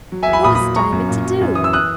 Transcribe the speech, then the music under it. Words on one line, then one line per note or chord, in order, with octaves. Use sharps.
What was Diamond to do?
F#3
E5 G#5
E2
G#5 B5
A#2 B5 D#6
B5 D#6
F#3
F#3 A#5 C#6
F#2
A#2
F#3
F#2
E3 D#6
E6
D#6 F#6